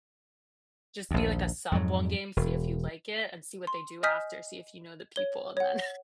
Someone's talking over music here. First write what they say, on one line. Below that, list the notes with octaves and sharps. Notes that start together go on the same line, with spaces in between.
just be, like, a sub one game, see if you like it, and see what they do after, see if you know the people, and then
A#1 D#2
F2 G#2 F#3
E1
C6
D#5 G#5 D#6 F6 G6 B6
C#5 G7
C#5 F#5